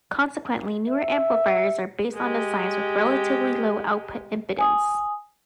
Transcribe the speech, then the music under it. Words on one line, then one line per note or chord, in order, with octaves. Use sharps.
Consequently, newer amplifiers are based on designs with relatively low output impedance.
E5
G#3 G4
G#5 D#6